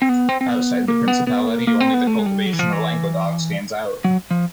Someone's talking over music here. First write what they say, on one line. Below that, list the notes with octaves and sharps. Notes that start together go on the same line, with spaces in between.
Outside the Principality, only the cultivation in Languedoc stands out.
C4
B3
C4
C4
B3
A#3
B3
B3
A#3
A#3
C4
B3
A3
G#3
G3
F#3
E3
F3
E3
F#3
F3